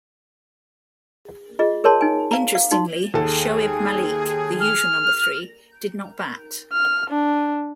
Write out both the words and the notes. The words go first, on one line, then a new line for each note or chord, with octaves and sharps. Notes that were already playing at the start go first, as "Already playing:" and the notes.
Interestingly, Shoaib Malik - the usual number three - did not bat.
F4 G#4 D#5
G#4 A#4 C#5 A5 C6
D#4 G#5
F5 A#5
F5
D#4 F#4 C6
D#2 G#4 A4
F6
F6
D4